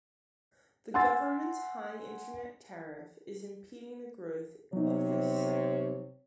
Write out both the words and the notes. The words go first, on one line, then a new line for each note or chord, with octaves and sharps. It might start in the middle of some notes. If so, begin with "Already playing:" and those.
The government's high internet tariff is impeding the growth of this sector.
F#5 G#5 C6 E6 A6
C3 F#3 B3 D#4 C#5